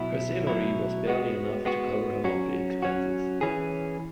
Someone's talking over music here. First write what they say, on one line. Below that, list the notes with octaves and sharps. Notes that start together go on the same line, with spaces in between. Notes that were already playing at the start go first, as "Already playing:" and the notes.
Her salary was barely enough to cover her monthly expenses.
Already playing: B2 F#3 E4
B2 F#3 E4
G#3 B3 F#4
G#3 B3 F#4
F#3 C#4 F#4
F#3 C#4 F#4
E3 C#4 G#4